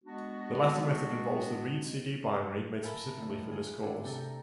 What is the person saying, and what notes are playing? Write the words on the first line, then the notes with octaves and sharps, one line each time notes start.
The latter method involves the readcd binary, made specifically for this cause.
G#3 B3 D4 F#4
A#4 E5 F5 G#5 A5 B5
A2 D#3 E4 F4
F4 G#4
D4 E4 G#4
C3 A4 G5 A#5